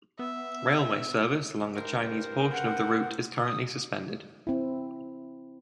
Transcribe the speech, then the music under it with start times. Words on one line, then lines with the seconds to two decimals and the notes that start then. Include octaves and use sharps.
Railway service along the Chinese portion of the route is currently suspended.
0.19 B3 E5
1.74 G2 A#4 C5
2.52 F#5
3.40 D#6
4.47 C4 E4